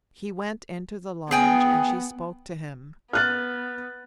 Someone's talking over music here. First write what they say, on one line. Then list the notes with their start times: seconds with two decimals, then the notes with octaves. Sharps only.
He went into the lodge, and she spoke to him.
1.31 B3 G#4 G5 G#5
3.13 B3 F6 F#6 A6